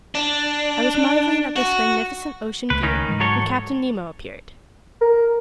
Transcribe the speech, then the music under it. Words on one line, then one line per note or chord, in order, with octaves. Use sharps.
I was marveling at this magnificent ocean view when Captain Nemo appeared.
D4
F#4
C#2 A3 B4
D#3 C#4 D#4
G#2 E3 G#3
F#3 A4 C#5
A#4